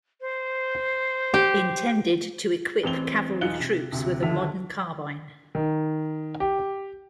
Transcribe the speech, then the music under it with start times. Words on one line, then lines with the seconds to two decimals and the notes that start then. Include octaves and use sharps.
Intended to equip cavalry troops with a modern carbine.
0.21 C5
1.34 G4
2.83 A1 C4 F7 G7
3.41 E1 D#4 F4 F#6 C#7 G7
3.60 C3
3.92 D2 C3
4.23 D#2 D3 E5 B6 F7
5.55 D#3
6.40 G4